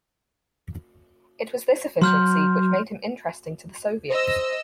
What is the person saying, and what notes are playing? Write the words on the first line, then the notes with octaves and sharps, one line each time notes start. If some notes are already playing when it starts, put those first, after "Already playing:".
It was this efficiency which made him interesting to the Soviets.
F#3 C6 F6 G6
C5 D#5 E6